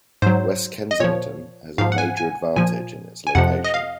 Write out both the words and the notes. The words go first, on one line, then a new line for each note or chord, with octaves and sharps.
West Kensington has a major advantage in its location.
G#2 F#3 C5
D#5
A#2 F3 C#5
G#2 F3 F5
F#5
G#5
G#5
A#2 F3 G#5
G#5
F2 C3 F3 F#5
D#5
F5